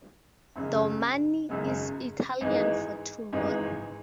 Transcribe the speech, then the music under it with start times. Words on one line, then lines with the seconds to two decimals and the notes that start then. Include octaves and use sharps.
"Domani" is Italian for "tomorrow".
0.56 G#1 F#2 C#3 G#3
1.49 G#1 F#2 C#3 G#3
2.41 G#1 G#2 E3 G#3 D#4
3.33 G#1 G#2 E3 G#3 D#4